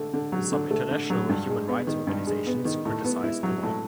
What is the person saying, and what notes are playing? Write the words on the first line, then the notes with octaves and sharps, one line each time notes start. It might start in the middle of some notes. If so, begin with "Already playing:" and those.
Some international human rights' organisations criticised the law.
Already playing: D3 A3
D3
F#3
D3
A3
D3
F#3
G2
G#3
B3
D#3
G2
G#3
B3
D#3
A2
B3
E4
F#3
A2